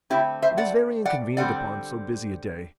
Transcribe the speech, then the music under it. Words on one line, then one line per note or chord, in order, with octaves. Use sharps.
"It is very inconvenient upon so busy a day."
D3 A3 C4 E4 G4
C5 E5
D5 F#5
D5 F#5
D3 G3 C4 D5 F#5